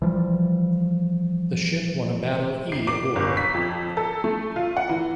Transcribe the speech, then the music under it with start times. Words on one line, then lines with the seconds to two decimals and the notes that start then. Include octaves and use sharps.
The ship won a Battle "E" award.
0.02 E3 F3 G3
2.72 C7
2.87 D6
3.16 G1
3.37 B6
3.54 F2
3.97 A4
4.24 A3
4.56 F4
4.77 F#5
4.89 E3